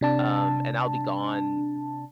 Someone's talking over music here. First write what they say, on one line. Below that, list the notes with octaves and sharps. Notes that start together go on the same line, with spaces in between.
Um, and I'll be gone
C3 D4 A5